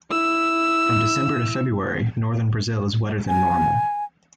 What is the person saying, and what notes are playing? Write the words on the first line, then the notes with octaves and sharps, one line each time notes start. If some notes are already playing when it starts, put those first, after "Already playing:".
From December to February, northern Brazil is wetter than normal.
E4 E6
G#5